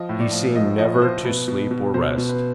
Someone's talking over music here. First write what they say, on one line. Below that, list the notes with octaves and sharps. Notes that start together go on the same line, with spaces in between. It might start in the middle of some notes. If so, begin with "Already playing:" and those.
He seemed never to sleep or rest.
Already playing: F3 D#5
A2
D5
F3
F3 D#5
F3 D#5
F3 C5
B2 B4
B2
B2
B2 C5
B2
B4